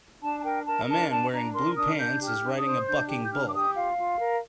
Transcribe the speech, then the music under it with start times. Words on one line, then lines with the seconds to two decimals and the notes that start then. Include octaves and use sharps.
A man wearing blue pants is riding a bucking bull.
0.22 D4 A5
0.39 A5
0.44 A#4 G5
0.65 A#4 A5
0.88 D4 A5
1.10 D4 A5
1.32 D4 A#5
1.54 A#4 C6
1.76 D4 D#6
1.98 D4 G6
2.21 G4
2.28 F6
2.43 D4
2.58 D#6
2.65 C5
2.87 D4 G6
3.09 G4
3.24 G6
3.31 D4 F6
3.48 D6
3.53 G4 D#6
3.75 F4 F5
3.98 F4
4.19 A#4